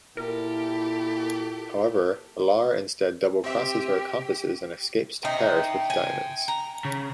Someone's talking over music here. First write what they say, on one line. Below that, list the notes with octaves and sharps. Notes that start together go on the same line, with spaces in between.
However, Laure instead double-crosses her accomplices and escapes to Paris with the diamonds.
A#2 E4 G4 A4 A#4
C4 G4 E5
D#4 E5 G5
G#5
A#5
C#3